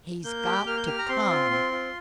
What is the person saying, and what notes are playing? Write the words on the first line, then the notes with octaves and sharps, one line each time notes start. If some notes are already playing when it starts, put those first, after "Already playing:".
"He's got to come!"
A#3 G6
G4
A#3 F6
G6
G4 F6
A#5
C4 C6
F4
C4
F4